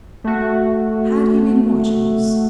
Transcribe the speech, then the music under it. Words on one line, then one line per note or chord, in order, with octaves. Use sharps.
Had he been watching us?
A3 F#4